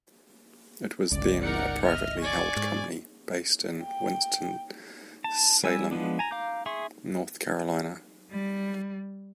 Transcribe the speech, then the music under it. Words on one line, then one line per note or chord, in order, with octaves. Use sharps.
It was then a privately held company based in Winston-Salem, North Carolina.
G1 C#2 D5
D#4 A#4 D5 F#5 C#7
D#5 E5 F6
D5 G#5 C#6
G#2
G5
A5
G3 G#5 E6
F3 G#3 B3 D4
G#5 A#5
F5 A#5 D6 G6
G#4 E5 C6 C#6
G3